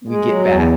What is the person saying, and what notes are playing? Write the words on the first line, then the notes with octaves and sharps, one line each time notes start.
we get back
G#3
F#3
E2